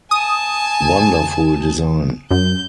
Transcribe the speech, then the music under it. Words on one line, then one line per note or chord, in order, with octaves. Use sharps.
Wonderful design.
G#5 A5 D#6
F#2 G6